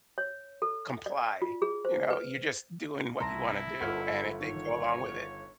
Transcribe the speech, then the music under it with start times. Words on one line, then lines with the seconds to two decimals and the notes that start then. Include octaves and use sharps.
comply, you know, you're just doing what you want to do, and if they go along with it,
0.18 C#5
0.62 A4
1.06 D5
1.42 F4
1.62 G#4
1.85 C5
2.10 B4
3.20 C2 E4 A5 A#5 C6 A#6
3.81 G1 F4 A4 F#5 F6 G#6
4.40 D#3 C#5